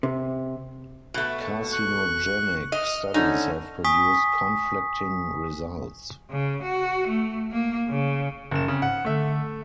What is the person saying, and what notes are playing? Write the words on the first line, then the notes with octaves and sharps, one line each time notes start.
Carcinogenic studies have produced conflicting results.
C3
B2 A3
C#6 F#6
D#5 F6
D3 C#4 D#4
G#5 C#6 D#6 B6
C#3
F#4
A3
A#3
C#3
F#1 E7
C#3 C4
G#2 F#5
D3 A3 E5